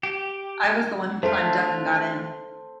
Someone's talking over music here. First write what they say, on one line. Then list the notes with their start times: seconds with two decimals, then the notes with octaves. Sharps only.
I was the one who climbed up and got in.
0.03 G4
1.23 A3 D4 F4 A4 C5